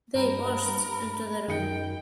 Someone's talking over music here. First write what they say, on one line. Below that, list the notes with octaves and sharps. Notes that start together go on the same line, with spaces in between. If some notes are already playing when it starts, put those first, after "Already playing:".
They burst into the room.
G2 A#4 B5
F#2 D#3 D#5 G5 C#7